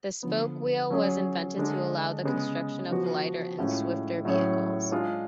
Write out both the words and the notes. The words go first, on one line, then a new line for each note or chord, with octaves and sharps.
The spoked wheel was invented to allow the construction of lighter and swifter vehicles.
D3 F3 B3
F#3 C#4 G#4 C#5
D3 G#3 D4
C#3 G#3 B3
F3 B3 F#4 B4
A2 G#3 C#4 F4
A2 F#3 C#4 G#4 C#5
G#3 D4 F4 G#4